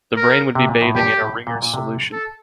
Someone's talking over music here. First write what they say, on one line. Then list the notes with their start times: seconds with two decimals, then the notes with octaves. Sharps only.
The brain would be bathing in a Ringer's solution.
0.16 A#4
0.55 C3
0.69 A#2
0.82 A2
0.95 G2 G4
1.21 A2
1.47 A#2
1.62 A#2
1.74 C3
2.12 A4